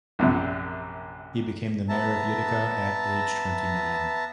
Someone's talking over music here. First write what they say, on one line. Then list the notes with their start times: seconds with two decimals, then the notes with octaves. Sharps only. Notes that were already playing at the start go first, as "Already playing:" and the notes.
He became mayor of Utica at age twenty-nine.
0.19 A#1 F#2 C3
1.88 B3 E5 A5 A#5